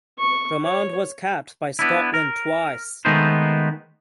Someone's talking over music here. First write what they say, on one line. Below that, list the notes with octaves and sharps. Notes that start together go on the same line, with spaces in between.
Drummond was capped by Scotland twice.
C#6
C#5
B3 D4 E4
A#4
D#3 G#3 A3 B3 D#4 C5